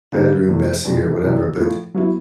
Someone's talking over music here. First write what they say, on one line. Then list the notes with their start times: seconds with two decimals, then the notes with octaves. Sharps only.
bedroom messy or whatever, but
0.12 D3 G3 A#3 D#4 G4
0.48 E2 C3 E3 A3
0.84 C2 B2 G#3
1.21 C2 C3 E3
1.57 A2 F3 A3
1.94 F#3 B3 E4